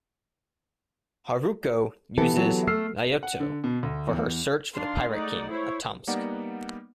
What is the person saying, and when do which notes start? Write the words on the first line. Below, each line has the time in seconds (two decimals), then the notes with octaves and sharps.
Haruko uses Naota for her search for the Pirate King, Atomsk.
2.18 E3 B3 G4 A4
2.34 E3 F#3
2.67 A3 E6 F6 C7
3.23 F#5
3.40 D3
3.64 B2
3.83 D2
4.08 E2
4.72 D#3 D4 F5 C6
5.08 G#3 A3 D#4 D5 F#5
5.50 E4 C5 C#5
6.07 G3 A#3 B3 D#4 D5 F#5